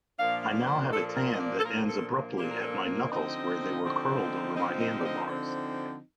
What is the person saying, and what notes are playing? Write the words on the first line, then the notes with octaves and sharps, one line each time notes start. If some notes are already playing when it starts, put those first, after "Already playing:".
I now have a tan that ends abruptly at my knuckles where they were curled over my handlebars.
A#2 F3 A#3 D4 F5
F5
C5
A#2 F3 A#3 D4 A4
A4
A#4
D#5
D5
A4
A#2 F3 A#3 D4 A#4
A4
A#2 F3 A#3 D4 G4
A#4
A4
A#4
D3 F3 C4 D#4 D#5
D3 F3 C4 D#4
D3 F3 C4 D#4 D#5
D#5
D5
D#5
D3 F3 C4 D#4